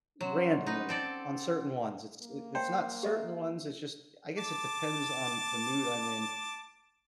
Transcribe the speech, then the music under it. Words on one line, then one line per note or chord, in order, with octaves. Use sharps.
randomly, on certain ones, it's i it's not certain ones, it's just I guess it depends on the mood I'm in
F#3 C#4 F#5 C6
D#4 B4
C4 A4 D5
A#3
C5 G5
G4 D#5 E5
A5 D6